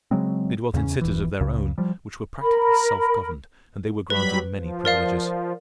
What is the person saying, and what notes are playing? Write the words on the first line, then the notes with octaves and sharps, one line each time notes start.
They dwelt in cities of their own which were practically self-governed, and they were granted many privileges.
C#3 F#3 G#3 C4
E2 C#3 A#3 C#4
D#1 E3
C#2 C#3
F3 G3
A#4 B5
F#3 G3 B4 B5
F3
A#4 D5 F5